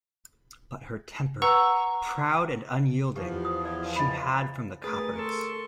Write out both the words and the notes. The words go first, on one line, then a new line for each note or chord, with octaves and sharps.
But her temper, proud and unyielding, she had from the Coppards.
B4 F#5 A#5 C#6 E6
E2 F3 G4
D#6
D5
D#5 B5
D2 G#4 A#4 B4 A6
A4 A#4 C6 C#6